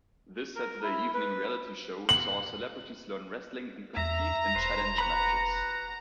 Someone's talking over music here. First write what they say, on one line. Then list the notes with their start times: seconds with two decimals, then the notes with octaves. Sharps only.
This Saturday evening reality show saw celebrities learn wrestling and compete in challenge matches.
0.56 A#4
0.83 E4
1.14 B4
2.09 F#7
3.97 E2 E5 A#5
4.55 E1 B4 C5
4.98 F#4 B4 B5